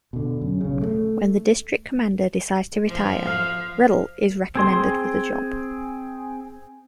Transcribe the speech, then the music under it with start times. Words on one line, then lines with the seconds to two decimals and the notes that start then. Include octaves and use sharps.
When the district commander decides to retire, Redl is recommended for the job.
0.13 B2 D3
0.41 F#2
0.61 B1 C#3
0.81 A3
2.86 F3
3.27 F5
4.55 C4 G#4 C6